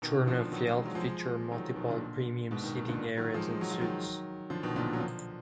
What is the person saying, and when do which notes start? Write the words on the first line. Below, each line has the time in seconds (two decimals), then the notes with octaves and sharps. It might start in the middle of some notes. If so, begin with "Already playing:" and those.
Turner Field featured multiple premium seating areas and suites.
0.02 B2 D#3
0.26 D3 F3
0.52 D#3 F#3
0.77 G#3
0.86 F#3
0.95 F3 G#3
1.51 D#3 F#3
1.76 B2 D#3
1.89 A#2 D3
2.51 G#2 B2
2.64 B2 D#3
2.76 B2 D#3
2.89 A#2 D3
3.17 D#3 F#3
3.34 F3 G#3
3.51 G#3
3.61 F#3
3.71 F3
3.81 D#3 F#3
4.50 D3 F3
4.63 B2 D#3
4.76 A#2 D3
4.93 F#3
5.00 D3 F3